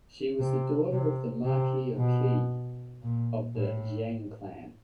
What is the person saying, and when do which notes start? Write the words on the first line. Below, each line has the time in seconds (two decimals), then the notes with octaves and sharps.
She was the daughter of the Marquis of Qi of the Jiang clan.
0.39 C3
0.92 C3
1.44 C3
1.97 B2
3.02 A#2
3.55 A2